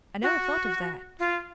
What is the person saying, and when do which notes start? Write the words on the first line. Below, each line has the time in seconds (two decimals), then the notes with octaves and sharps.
"I never thought of that."
0.23 F#4
1.19 F4